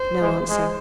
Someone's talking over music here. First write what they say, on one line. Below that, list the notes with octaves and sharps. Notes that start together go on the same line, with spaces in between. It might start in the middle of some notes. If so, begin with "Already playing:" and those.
No answer.
Already playing: C5
G#3
G#3 C5